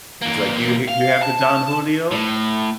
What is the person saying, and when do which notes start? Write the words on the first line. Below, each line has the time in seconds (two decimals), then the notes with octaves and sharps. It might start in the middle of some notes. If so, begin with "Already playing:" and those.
He's like, you hate you have the Don Julio?
0.22 E3 A#3
0.89 F5
1.23 A5
2.11 A2